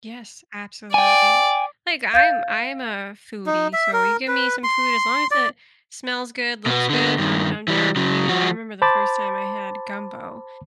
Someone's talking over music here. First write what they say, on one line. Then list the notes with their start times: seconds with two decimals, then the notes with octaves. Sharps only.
Yes, absolutely. Like I'm I'm a foodie, so you give me some food, as long as it smells good, looks good, I'm I'm down to eat it. I remember the first time I had gumbo,
0.94 D5 G5 G#5
2.14 F5 G6 A6
3.46 D#4
3.73 E5
3.93 A#4
4.28 B4
4.64 C6
5.31 D5
6.66 B2 B3
6.90 D3 B3
7.18 G2 D#3
7.68 E3 G3
7.96 C#3 F#3
8.29 F3 F#4
8.82 C5 A5 B5 D6 A6